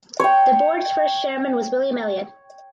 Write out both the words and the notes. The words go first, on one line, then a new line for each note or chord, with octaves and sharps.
The board’s first chairman was William Elliott.
C#5 G5